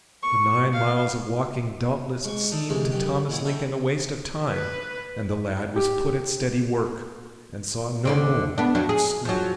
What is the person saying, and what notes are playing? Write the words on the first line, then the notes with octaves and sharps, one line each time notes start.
The nine miles of walking doubtless seemed to Thomas Lincoln a waste of time, and the lad was put at steady work and saw no more of school.
C#6
F5
G#2 C#6
D#4 A4 D5
D2 G#2 C3 E3 G#3 A3
F#2 D3 G4
A#2 D#3 E4 F#5
A4 C#5 E5 G5 B5
B4
G4
D#2 D3 C4
B3 D4
F2 F#3 D4
G#4
F3 F#3